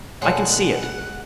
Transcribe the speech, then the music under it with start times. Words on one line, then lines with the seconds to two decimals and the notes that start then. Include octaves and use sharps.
I can see it.
0.22 B2 D3 D#3 G#3 C#5 F#5 G#5 A5